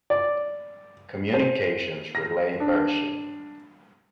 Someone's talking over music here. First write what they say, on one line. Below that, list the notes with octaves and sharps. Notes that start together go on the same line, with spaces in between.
Communications relay version.
D5
C5
A#6
D4